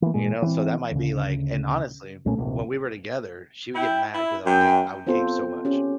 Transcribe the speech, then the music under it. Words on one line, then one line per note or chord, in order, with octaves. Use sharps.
And you know, so that might be, like and, honestly, when we were together, she would get mad, 'cause I was ga I would game so much.
E3 A#3
A#2 G#3
E3 C4
D2 C#3
B1 A#2 A3 C#4
D1 A#1 C3
E4 G5
E4
F#2 G5
B3 C4 F4 A4 C5
C#4 G4